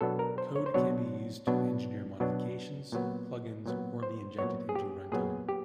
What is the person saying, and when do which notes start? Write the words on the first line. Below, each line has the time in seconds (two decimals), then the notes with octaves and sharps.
Code can be used to engineer modifications, plug-ins or be injected into runtime.
0.01 B2 F#3 B3 D4 A4
0.19 A#4
0.38 C5
0.56 C#5
0.66 C5
0.74 B2 F#3 B3 D4 C#5
1.47 B2 F#3 B3 D4
2.20 B2 F#3 B3 D4
2.92 A#2 F#3 B3
3.66 A#2 F#3 B3
4.03 C5
4.39 A#2 F#3 B3 C#5
4.69 G#4
4.75 G4
5.12 A#2 F#3 B3 G#4
5.49 G4